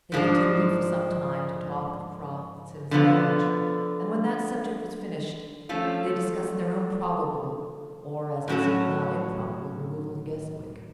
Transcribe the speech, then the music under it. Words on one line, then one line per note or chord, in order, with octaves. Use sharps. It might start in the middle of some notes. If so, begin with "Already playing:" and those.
They continued for some time to talk of Crofts and his marriage; and when that subject was finished, they discussed their own probable,--or, as it seemed now, improbable,--removal to Guestwick.
G#2 F3 G#3 D4
D3 F3 B3 F4
F3 A3 C#4 F4 A4
A2 F#3 C#4 F#4 A4